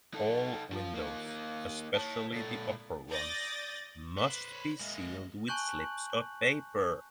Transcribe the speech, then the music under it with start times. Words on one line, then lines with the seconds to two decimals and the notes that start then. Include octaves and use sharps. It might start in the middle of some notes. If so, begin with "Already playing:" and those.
All windows, especially the upper ones, must be sealed with slips of paper.
0.14 D#4 A4
0.72 F3 F4
0.94 A#3 D#4
1.95 C#5 A5
2.34 A#2 A4
3.08 D5 D#6 G6 A6 A#6
4.18 B4 C5 D6 F#6
4.49 C#5 B5
4.80 G#3 A#3 D#5 E5
5.48 G#5 A5 C#6 F#6 G6 F#7